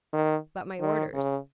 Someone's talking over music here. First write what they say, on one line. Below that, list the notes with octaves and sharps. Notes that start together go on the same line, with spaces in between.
"But my orders."
D#3
D#3
C#3